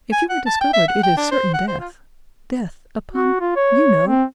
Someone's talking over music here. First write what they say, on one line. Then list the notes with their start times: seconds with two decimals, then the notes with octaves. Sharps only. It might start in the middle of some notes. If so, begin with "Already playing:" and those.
"If you are discovered, it is certain death; death--upon--you know!"
0.12 G#5
0.30 F#5
0.47 A5
0.61 G5
0.74 E5
0.88 F#5
1.03 G5
1.18 D4
1.32 C5
1.54 F#5
1.68 C5
1.80 F4
3.12 F#4
3.40 F4
3.56 C#5
4.08 C4